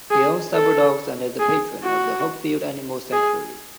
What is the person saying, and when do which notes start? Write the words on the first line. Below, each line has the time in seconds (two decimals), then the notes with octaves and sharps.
He owns several dogs and is a patron of the Hopefield Animal Sanctuary.
0.10 G#4
0.53 A4
1.40 G#4
1.83 F#4
3.12 G#4